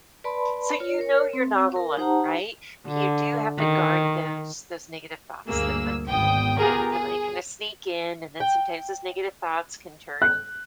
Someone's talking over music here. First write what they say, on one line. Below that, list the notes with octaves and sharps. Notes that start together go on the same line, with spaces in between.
So you know you're not alone, right? But you do have to guard those those negative thoughts that might kinda they kinda sneak in, and then sometimes those negative thoughts can turn
B4 D5 A5 B5 C6
F4 C#5
A#4 C#5
C4
A#4
D#4 G4 C5 F#5 A5 A#5
D3
D#3
D2 G2 A#3 G#4 E6
G#1 B3 G5 D#6
B3 F4 G4 G#4 A#4 A#5
G#4
G5
F#6